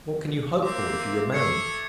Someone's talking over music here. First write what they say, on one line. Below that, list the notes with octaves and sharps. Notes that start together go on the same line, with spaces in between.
What can you hope for if you remain?
A#3 C4 E5 D6
A3 A4 E5 G#6 C7 C#7